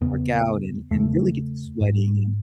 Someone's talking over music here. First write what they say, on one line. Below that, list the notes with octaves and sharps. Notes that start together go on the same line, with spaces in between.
work out, and and really get to sweating,
E2 C#3 B3
E2 C#3 A3
G#2